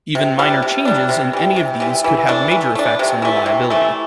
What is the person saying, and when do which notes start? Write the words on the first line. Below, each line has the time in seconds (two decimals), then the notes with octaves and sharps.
Even minor changes in any of these could have major effects on reliability.
0.15 C3
0.39 G3 D4
0.62 C3
0.85 G3 D4
1.09 C3
1.33 E3 G3
1.56 C3
1.80 E3 G3
2.04 E3
2.28 A3 D4
2.51 E3
2.75 A3 D4
2.99 C3
3.22 E3 A3
3.46 C3
3.70 E3 A3